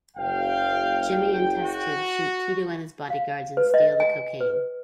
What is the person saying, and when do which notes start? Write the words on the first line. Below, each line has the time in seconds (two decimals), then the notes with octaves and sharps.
Jimmy and Test Tube shoot Tito and his bodyguards and steal the cocaine.
0.17 F#1 F5 G5
1.64 F#4
3.10 F5
3.57 B4
3.74 D#5
4.00 G#5
4.41 B4